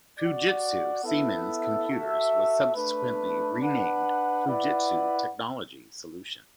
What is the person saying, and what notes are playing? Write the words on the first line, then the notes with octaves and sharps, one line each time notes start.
Fujitsu Siemens Computers was subsequently renamed Fujitsu Technology Solutions.
F#4 D5 F#5
B3 E4 A4 E5
F#4 A4 E5
A3 D4 B4
D4 B4 F#5
E4 B4 D5 F#5